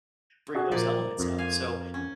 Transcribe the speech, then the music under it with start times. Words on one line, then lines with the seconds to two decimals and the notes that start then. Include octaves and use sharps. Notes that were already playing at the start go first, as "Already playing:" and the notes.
bring those elements out. So
0.55 D4 F#4 G#4
0.71 A#2 F3 A#3 D#4 D5
1.19 F2
1.38 F5 G#5
1.94 C#4